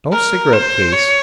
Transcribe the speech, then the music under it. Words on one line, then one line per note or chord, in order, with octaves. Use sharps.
No cigarette case....
A#4
C5
C#5